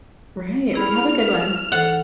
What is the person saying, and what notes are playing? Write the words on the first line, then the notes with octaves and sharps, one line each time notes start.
Right, right. Have a good one.
E4 G#4 B5 F6
E3 A4 C5 F#5